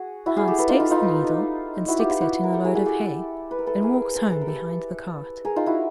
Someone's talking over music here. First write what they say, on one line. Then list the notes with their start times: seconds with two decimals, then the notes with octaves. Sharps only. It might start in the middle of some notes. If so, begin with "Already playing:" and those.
Hans takes the needle, and sticks it in a load of hay, and walks home behind the cart.
Already playing: F#4 G#4
0.26 E4 F#4
0.37 F#4 G#4
0.48 G4 A4
0.58 A4 B4
0.69 D#4 F4
0.80 D#4 F4
0.90 D#4 F4
1.88 E4 F#4
1.99 F4 G4
2.10 F4 G4
2.21 E4 F#4
2.44 A#4
2.53 G4 A4
2.64 G#4 A#4
2.75 F#4 G#4
2.86 G4 A4
3.51 B4
3.59 A#4
3.67 A4 B4
3.82 G#4 A#4
4.15 A#4 C5
4.31 A4 B4
4.41 A#4
4.48 G4 A4
5.45 G#4 A#4
5.56 D#4 F4
5.66 E4 F#4